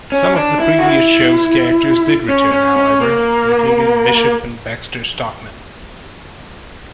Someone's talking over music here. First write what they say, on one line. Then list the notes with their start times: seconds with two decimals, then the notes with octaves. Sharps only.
Some of the previous shows characters did return, however, including Bishop and Baxter Stockman.
0.12 C#4
0.36 D4
0.60 E4
0.79 F#4
0.83 E4
2.29 C#4
2.52 C#4
2.76 C#4
3.01 A#3